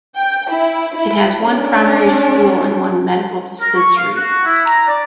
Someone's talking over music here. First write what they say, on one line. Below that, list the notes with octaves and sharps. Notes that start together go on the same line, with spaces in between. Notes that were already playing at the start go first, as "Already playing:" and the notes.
It has one primary school and one medical dispensary.
G5
E4
E4
C#4 D4
A#4
C#6
F5
F#4
E4
A#5
D5